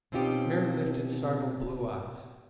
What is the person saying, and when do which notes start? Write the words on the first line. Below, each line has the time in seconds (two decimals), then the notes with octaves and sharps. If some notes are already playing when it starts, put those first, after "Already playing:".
Mary lifted startled blue eyes.
0.12 B2 C4 C#4 D#4 F4 G4